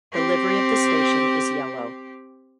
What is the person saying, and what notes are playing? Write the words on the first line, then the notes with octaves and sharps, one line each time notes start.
The livery of the station is yellow.
C4 G4